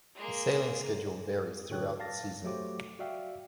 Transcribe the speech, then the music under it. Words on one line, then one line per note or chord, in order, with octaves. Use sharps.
The sailing schedule varies throughout the season.
G#3 A#3
A2 D3 F#4 C#5 G5 F#6
F5 A5 A6 A#6
F#3 A3 F#4 G4 C5 D6
F#4 D5 E5 F5 G5